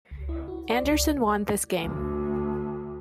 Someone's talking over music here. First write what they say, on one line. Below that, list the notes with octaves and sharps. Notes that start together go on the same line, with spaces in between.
Anderssen won this game.
C#2
E4
F#4
D5
C#2
D2